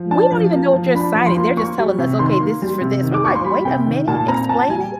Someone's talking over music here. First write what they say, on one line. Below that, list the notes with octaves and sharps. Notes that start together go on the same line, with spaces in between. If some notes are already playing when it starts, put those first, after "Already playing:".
We don't even know what you're signing. They're just telling us, okay, this is for this. We're, like, a minute, explain it.
Already playing: F3
D4 A5
F3
A#3
F3
D4 B5
F3
C6
A#3
A#3 C#6
G3
C3
D#3 C6
A#3
G3
C3
D#3
D6
A#3 C#6
C6
G3 B5
C3 G5
D#3
A#2 A5
C4 A#5
A#2 A5
G3 G#5